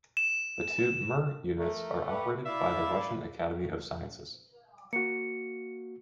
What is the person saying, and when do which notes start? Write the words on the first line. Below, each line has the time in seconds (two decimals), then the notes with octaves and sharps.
The two "Mir" units are operated by the Russian Academy of Sciences.
0.17 E7
1.57 A3 A#4
2.08 G4 B4 F#5
2.45 E4 D5 E5 F5
4.93 A#3 F#4 C#7